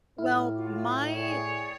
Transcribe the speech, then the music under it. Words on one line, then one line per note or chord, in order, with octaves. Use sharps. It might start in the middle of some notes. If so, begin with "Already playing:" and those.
Well, my
A2 E4 F6
F4 F#4 D6
G#4 C#5 D5 G5